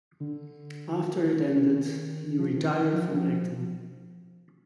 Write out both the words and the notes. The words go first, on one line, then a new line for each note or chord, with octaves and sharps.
After it ended he retired from acting.
D3
D#3
F3
D#3
F3
F3